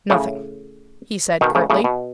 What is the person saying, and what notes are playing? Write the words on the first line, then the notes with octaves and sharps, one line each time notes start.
"Nothing," he said curtly.
A2 C#3
B2 D#3
A2 C#3
A2 C#3
B2